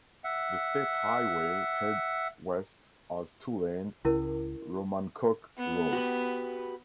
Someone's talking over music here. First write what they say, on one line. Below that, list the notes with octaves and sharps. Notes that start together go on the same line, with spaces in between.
The state highway heads west as two-lane Romancoke Road.
E5 F#5
C#2 C#4 E4 A#4
B3
F#4 G4 B4